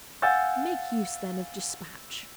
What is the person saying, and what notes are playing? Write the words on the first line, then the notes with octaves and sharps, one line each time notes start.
Make use then of despatch.
F5 F#5 G#5 E6 G6 A6